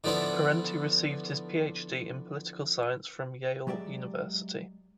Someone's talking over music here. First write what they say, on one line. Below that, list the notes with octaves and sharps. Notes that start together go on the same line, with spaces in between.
Parenti received his PhD in political science from Yale University.
D3 F3 B3 D4 E4
F#3 G#3 G4 D5 E5